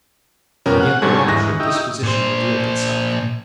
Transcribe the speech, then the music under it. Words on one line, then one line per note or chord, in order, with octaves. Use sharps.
And yet their natural disposition revealed itself.
F2 B2 G3 C#4 A#4
F#5
G#2 D3 G3 A4 C#5 G#5
E2 G#2 C#6 F#6 A#6
D#4 E4 G4
A#2 C5